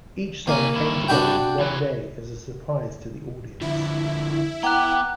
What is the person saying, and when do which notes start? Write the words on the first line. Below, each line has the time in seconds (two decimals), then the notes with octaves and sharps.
Each song came together in one day as a surprise to the audience.
0.47 D#3 A#3 G#5
0.76 G2 E4
1.08 D4 F#4 G5
1.59 E3 F#3
3.61 D3 F3 E4
4.63 B3 F#5 G5 A#5 D6 F#6